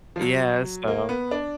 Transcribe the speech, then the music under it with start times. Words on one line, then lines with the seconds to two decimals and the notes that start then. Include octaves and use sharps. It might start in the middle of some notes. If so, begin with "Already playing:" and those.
Yeah, so
0.16 F3
0.21 F#3
0.88 A#3
1.09 B3
1.31 D4